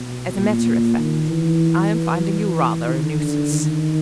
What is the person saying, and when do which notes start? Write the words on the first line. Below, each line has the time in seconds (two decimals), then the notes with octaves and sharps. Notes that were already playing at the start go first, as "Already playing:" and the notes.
"As a matter of fact I am finding you rather a nuisance."
Already playing: B2
0.34 A#2
0.98 D#3
1.29 E3
2.87 D#3
3.19 D3
3.51 D#3